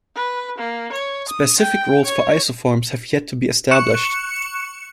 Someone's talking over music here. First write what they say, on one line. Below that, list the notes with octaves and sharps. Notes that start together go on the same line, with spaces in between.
Specific roles for isoforms have yet to be established.
B4
A#3
C#5
D#6
G5
C#5
C#6 F#6 C#7 E7